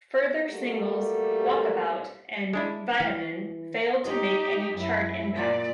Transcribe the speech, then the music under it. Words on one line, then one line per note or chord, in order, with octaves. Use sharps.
Further singles "Walkabout" and "Vitamin" failed to make any chart impact.
G3 A3 A#3 F#4 G4 A4
G#3 D4 E4
E3 F5 G5
D#4 G4
F#2 E4
A#2 D5